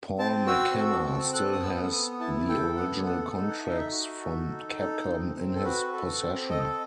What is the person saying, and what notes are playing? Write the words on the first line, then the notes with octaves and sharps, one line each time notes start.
Paul McKenna still has the original contracts from Capcom in his possession.
C4 A5
F#4 E6
A4
C4
A4 F#6
D#6
B3 E6
B3 D#6
E4 A5
A4 G5
B3 F#5
A4 F#5
D#4
F#5
E5
D#4 D#5
E5
F#4
A4
D#4
A4
C4
C4
A4
F#4 B4
A4
C4
A4 D#5